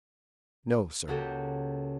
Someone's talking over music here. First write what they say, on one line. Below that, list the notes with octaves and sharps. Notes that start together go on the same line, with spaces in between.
"No, sir."
C#2 A#3 F#4 G4 A4 G6